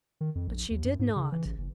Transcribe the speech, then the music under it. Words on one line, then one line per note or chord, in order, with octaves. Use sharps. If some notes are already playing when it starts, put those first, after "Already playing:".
But she did not.
D#3
F2
A#1
D#2
F#2
G#2
C#3
E3
A1
F#1